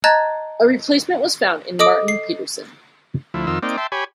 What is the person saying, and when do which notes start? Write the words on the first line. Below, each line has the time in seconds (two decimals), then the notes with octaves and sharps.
A replacement was found in Martin Pedersen.
0.04 D#5 A5 A#5 F#6 G#6 A6
1.79 A4 D#5 D6 D#6 D7
2.08 C7
3.34 D2 F3 E4
3.47 F2 D#3 F4 E6
3.63 A#3 C4 D#4 D5 G5
3.77 E5 G5 A5 C6
3.92 G4 C#5 G#5 B5